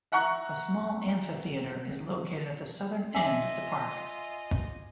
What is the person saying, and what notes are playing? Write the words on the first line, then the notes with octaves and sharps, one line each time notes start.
A small amphitheatre is located at the southern end of the park.
E5 F#5 A#5 C#6 F#6
F4 D#5 E5 G#5 D6